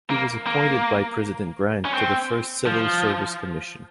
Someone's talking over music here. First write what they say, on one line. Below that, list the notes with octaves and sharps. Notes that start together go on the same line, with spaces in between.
He was appointed by President Grant to the first Civil Service Commission.
A#3
A#3
C#4
C4
F3